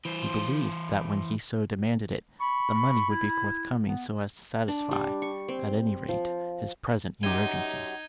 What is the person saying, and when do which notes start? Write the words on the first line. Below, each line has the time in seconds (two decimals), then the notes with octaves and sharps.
He believed that when he so demanded it, the money would be forthcoming so as to satisfy, at any rate, his present emergencies.
0.05 E3 C5
2.40 B5 C#6
3.10 E4
3.85 B3
4.68 D4
4.91 G3
5.22 C#6
5.48 C4
6.08 F3
7.23 F#2 D#4 G4 G#6 D#7 G7